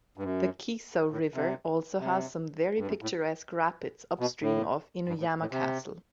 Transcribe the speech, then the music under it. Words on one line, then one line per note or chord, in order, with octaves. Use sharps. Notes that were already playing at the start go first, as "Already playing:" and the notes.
The Kiso River also has some very picturesque rapids upstream of Inuyama Castle.
G2
F#2
A2
C3
C3
G2
F#2
A2
B2
A2
G2
A2
A2
C3